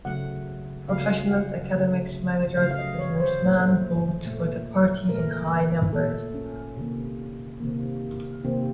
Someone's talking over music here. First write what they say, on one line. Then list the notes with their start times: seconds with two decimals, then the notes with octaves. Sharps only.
Professionals, academics, managers, businessman vote for the party in high numbers.
0.05 C#3 F#3 A3 F#5
0.89 C#3 F#3 A3 F5
1.31 F#5
1.73 C#3 F#3 A3
2.57 C#3 F#3 A3 F5
2.71 F5
2.78 D#5
2.99 C#5
3.20 C5
3.41 A#2 A3
4.25 A#2 A3
5.09 A#2 A3 A#4
5.93 A#2 A3 A4
6.34 C#4
6.77 C3 D#3 A#3
7.60 C3 D#3 A#3
8.44 C3 D#3 A#3 C4